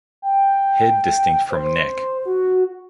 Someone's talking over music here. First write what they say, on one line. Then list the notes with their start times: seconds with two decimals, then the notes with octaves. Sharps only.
Head distinct from neck.
0.22 G5
1.50 C5
2.26 F#4